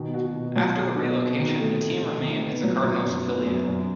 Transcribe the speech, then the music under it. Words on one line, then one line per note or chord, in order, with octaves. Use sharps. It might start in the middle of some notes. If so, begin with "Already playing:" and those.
After the relocation, the team remained as a Cardinals' affiliate.
Already playing: B2 D#3
F#4
B2
F#3
F#4
B2
C3
D#3
A3
C3
C3
D#3
B3
F#3
F#3
F#2
B3
F#2
F#2